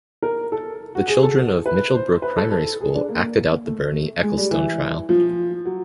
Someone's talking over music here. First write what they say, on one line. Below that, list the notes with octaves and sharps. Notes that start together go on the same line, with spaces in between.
The children of Mitchell Brook Primary School acted out the Bernie Ecclestone trial.
A#4
A4
F#4
G#4
A4
B4
C5
B4
A4
A4
G#4
D4
A#3
A3
G#3
G3
E3
F3
F#3